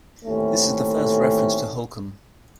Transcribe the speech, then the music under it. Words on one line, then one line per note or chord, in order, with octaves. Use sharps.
This is the first reference to Holkham.
D#2 A2 D3 A3 C4 C#4